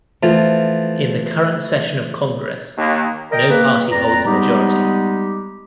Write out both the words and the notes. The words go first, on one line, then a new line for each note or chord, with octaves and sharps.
In the current session of Congress, no party holds a majority.
E3 F3 A3 F4
D#2
A#4 D5 D#5 G5
A#3 B4
F2 B4 D5 A#5
G3 G#3 B3 D#4 G4